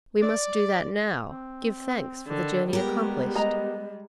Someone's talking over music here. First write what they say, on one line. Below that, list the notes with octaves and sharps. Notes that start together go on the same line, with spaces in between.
"We must do that now--give thanks for the journey accomplished."
D5
C4
D3 D#3
G3 G#3 B3 G4 A#4
D#5 A#5